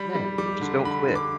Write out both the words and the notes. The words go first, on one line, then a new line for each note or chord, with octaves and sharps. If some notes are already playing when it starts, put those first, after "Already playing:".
Yeah. Just don't quit.
Already playing: G3 B5
G3
G3 D6
D3
D3 B5
D3
D6